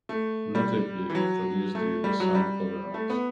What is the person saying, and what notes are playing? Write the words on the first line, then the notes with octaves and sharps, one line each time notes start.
Notably, it produced the Lausanne Covenant.
A3
G3
E3
F#3
A3
G3
F#3
G3
A3
B3